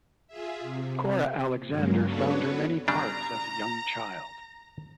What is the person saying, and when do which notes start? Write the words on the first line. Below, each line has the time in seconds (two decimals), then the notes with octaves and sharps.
Cora Alexander found her many parts as a young child.
0.27 F4 G#4 E5
0.60 C3
1.68 G2 C#3 F#3 G#3 A#3
2.06 B3 D4 F#4 A4 B4 C#5
2.88 C#3 G3 D4 A#5 A#6